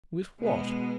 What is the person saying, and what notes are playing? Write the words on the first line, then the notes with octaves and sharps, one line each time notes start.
"With what?"
B2 G#3 B3